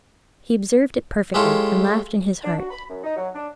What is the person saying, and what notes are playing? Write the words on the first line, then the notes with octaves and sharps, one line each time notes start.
He observed it perfectly, and laughed in his heart.
G#3 E4 F4 G4 A4 C#5
D4
F#4
B5
F#2
D#4
F#3
D4